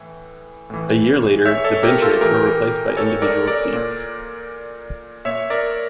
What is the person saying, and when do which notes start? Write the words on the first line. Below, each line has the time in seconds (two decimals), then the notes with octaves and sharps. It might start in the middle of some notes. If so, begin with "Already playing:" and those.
A year later, the benches were replaced by individual seats.
Already playing: A2 E3
0.70 A2 E3
1.45 C#5 E5
1.64 A4 C#5
1.83 G4 A#4
2.02 F4 A4
2.21 A2 E3 G4 A#4
2.97 A4 C#5
3.22 A#4 D5
3.47 A#4 D5
3.73 A#2
5.25 A#2 C#5 E5
5.50 A#4 D5